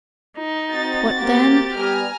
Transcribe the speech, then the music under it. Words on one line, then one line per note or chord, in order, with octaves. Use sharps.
What then?
D#4
C4 F#4 A6
A#3 G4
G3 B3 G#5 A#5 F6